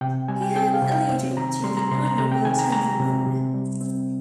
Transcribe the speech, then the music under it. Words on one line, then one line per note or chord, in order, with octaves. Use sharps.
He had alluded to the honourable gentleman.
C3 G5
G3 G#5
G5
C4 G5
F5
C3
G5
C4
D#3 A#5
G3 C6
A#5
C3 C6
A#5
C3 A#5
G5
D#3 G#5
A#5
G#3 A#5
C3
C3
G3
C4